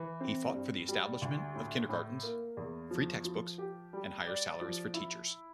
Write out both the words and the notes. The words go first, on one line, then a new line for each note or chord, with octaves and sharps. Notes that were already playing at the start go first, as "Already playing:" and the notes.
He fought for the establishment of kindergartens, free textbooks, and higher salaries for teachers.
Already playing: E3
C4
G2
G3
D2
A2
A2
A#3
E2
F3
F3
G4
G3
D5
F3
E4